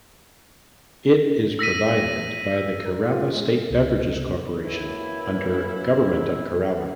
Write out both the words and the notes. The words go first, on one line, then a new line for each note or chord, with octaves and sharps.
It is provided by the Kerala State Beverages Corporation under Government of Kerala.
E6 A#6 B6 D#7
A#4
F4
G#3
C#2 C3
F#2 E3 A#3 E4